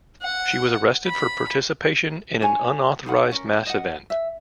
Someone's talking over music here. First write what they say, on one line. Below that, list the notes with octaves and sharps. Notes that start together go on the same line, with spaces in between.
She was arrested for "participation in an unauthorized mass event".
F#5
B5
D4 C#5 G#5
D#4 F5 F#5
C#4 A#4
D#5 F#5
E5